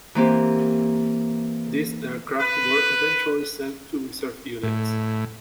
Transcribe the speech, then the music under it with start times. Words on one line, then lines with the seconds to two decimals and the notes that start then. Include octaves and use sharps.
These aircraft were eventually sent to reserve units.
0.15 E3 A#3 C4 G4
2.40 B4
4.63 A2